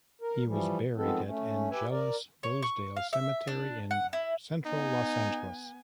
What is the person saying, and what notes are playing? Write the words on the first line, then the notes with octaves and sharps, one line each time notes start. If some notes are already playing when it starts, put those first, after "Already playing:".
He was buried at Angelus-Rosedale Cemetery in Central Los Angeles.
A#4
E3 F3 G3
D#3 F3 G#3 B3 C4 A4
A3 C#4
G4 B4 E5 G#5
A#4 D5
C#5
C#6
F5
E5
D4
F#5
E4
B3 D#4 G#5